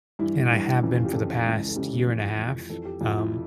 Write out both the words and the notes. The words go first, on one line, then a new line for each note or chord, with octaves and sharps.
and I have been for the past year and a half, um,
G2 E3 E4
G2 E3 E4
F2 C#3 E3
F4
G4
F2 C#3 E3 A4
C#2 C#3 E3
A4
C#2 C#3 E3 G4
G4
F2 E3
F2 E3
F2 E3 A4
G4
F2 E3 F4
E4